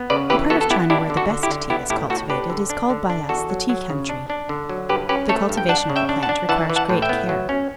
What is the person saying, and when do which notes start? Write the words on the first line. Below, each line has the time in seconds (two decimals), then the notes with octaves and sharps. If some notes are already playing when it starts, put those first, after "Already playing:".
The part of China where the best tea is cultivated, is called by us the "tea country." The cultivation of the plant requires great care.
Already playing: B3
0.10 C#3 B4 D5
0.30 E3 G4 B4
0.50 B3 F#4 A4
0.61 A4
0.70 B3 E4 G4
0.90 D4 E4 G4
1.10 D3
1.17 F#4 A4
1.30 D3
1.43 E4 G4
1.50 D3
1.70 B3 E4 G4
1.90 A2 E4 G4
2.10 A2 F#4 A4
2.30 D4 G4 B4
2.50 D3
2.70 D4
2.90 D3
3.10 D4
3.29 E2 F#4 A4
3.50 F#3
3.69 F#3
3.90 C#3
4.09 D4
4.30 D4
4.49 D3
4.69 F#3
4.89 G2 G4 B4
5.09 C#4 G4 B4
5.29 A3 A4 C#5
5.49 G2
5.57 G5
5.69 D4 F#5 A5
5.90 C#3
5.96 E5 G5
6.09 D4
6.23 F#5 A5
6.29 D4
6.49 E3 F#5 A5
6.70 E3
6.76 F#5 A5
6.89 A2
7.02 E5 G5
7.09 B3
7.29 F#3
7.49 C#4